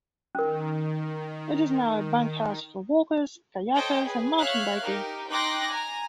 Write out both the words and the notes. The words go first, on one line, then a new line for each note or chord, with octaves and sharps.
It is now a bunkhouse for walkers, kayakers and mountain bikers.
D#3 C#4 A#4
A4 C5 C#5 D#5 G5
G#4 B4
C#5 E5 F5 F#6
D#4 G4 A#4
D#4 G5 C6 D6 F#6 A#6
G#5 A#5